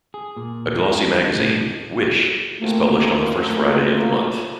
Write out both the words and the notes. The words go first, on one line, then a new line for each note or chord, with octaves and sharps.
A glossy magazine, "Wish", is published on the first Friday of the month.
G#4
A#2
G#3
G3
A2
A3 A#3 C4 F4 F#4 A#4